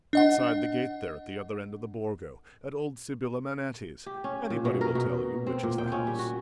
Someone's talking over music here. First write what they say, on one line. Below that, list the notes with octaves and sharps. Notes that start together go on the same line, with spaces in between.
"Outside the gate there, at the other end of the Borgo, at old Sibilla Manetti's: anybody will tell you which is the house."
D4 D#5 F#5
G4
C#4
A#2
B2
A#4
B2
C4
A#2
G5
C#4
G3
F#4